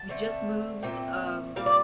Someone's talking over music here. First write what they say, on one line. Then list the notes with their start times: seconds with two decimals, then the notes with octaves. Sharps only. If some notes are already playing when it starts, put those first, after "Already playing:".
we just moved, um,
Already playing: A5
0.09 D3 A3 C4
0.83 A#2 A3 C4 G5
1.56 A#2 G3 C4 F5
1.66 D5